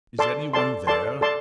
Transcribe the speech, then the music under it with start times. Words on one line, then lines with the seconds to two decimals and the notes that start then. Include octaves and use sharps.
"Is any one there?"
0.19 A4 D5 A5 C6
0.53 A4 D5 A5 C6
0.87 A4 D5 A5 C6
1.21 A4 D5 A5 C6